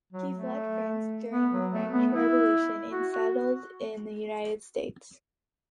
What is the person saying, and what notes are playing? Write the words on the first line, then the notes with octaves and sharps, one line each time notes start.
He fled France during the French Revolution and settled in the United States.
F#3
A3
B3
F#3
A3
B3
E4
F#4
F#4